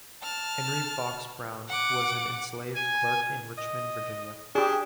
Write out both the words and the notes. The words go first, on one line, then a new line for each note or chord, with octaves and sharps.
Henry Box Brown was an enslaved clerk in Richmond, Virginia.
A5 F6
F#5 D6
G#5
D#5
D4 G4 G#4